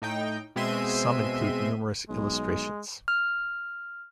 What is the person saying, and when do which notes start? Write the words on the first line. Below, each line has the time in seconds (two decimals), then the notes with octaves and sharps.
Some include numerous illustrations.
0.02 A2 D#4 G5
0.56 B2 G#3 C4 E5 C6 D#7
2.09 B1 G#3
3.08 F6